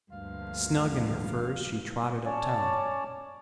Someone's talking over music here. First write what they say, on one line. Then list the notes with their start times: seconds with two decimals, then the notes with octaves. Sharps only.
Snug in her furs she trotted up-town.
0.12 D2 G2 F3 A#3 F5
2.25 C#4 C#5 D5 A5